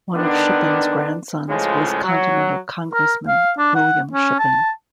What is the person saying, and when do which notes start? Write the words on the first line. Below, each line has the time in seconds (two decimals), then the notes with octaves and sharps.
One of Shippen's grandsons was Continental Congressman William Shippen.
0.15 D3 D#3 B3 D4
1.48 C#2 A2 C#3 F3 G#3
2.04 F#3
2.94 A#4
3.28 F5
3.58 D4
3.75 F#5
4.13 C#4
4.39 A5